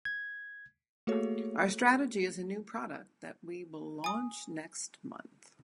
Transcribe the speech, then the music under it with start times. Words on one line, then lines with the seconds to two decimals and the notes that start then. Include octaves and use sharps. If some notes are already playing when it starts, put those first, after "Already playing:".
Our strategy is a new product that we will launch next month.
0.05 G#6
1.07 A3 A#3 F#4 G#4 A4 C#5
4.04 G#5 D#6